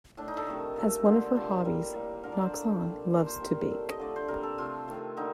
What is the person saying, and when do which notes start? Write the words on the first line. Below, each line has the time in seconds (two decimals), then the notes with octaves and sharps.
As one of her hobbies, Noxon loves to bake.
0.17 A2 A3 D4
0.28 D#4
0.38 A4
0.47 C3 D#3 A3
0.76 A#2 A3
1.05 D3 A3 C5
1.35 C3 F3 A#3
1.64 A2 G3 A#3
1.94 A2 G3 A#3
2.23 D3 F3 A#3 A#4
2.32 D5
2.43 C5
2.53 A2 A3
2.82 C3 G3 A#3
3.10 A#2 F3 A#3 C5
3.19 A#4
3.26 C5
3.40 C3 D#3 G3 A#3
3.70 A2 A3
3.89 D#5
3.99 D3 F3 A3 D5
4.16 C5
4.28 C3 G3 A#3 A#4
4.43 A4
4.58 C3 F3 A3 F4
4.88 C3 D#3 A3
5.17 D3 G3 A#3 D#4